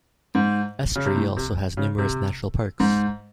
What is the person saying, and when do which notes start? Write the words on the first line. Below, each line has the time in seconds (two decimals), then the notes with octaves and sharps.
Estrie also has numerous natural parks.
0.35 G#2
0.95 C#3
1.06 C3
1.15 A2
1.37 C3
1.77 C#3
1.98 C3
2.80 G#2